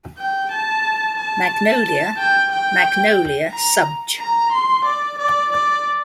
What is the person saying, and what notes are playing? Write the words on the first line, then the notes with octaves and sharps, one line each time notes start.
"Magnolia", "Magnolia" subg.
G5
A5
A5
G5
G5
A#5
A#5
C6
D5
D5
D5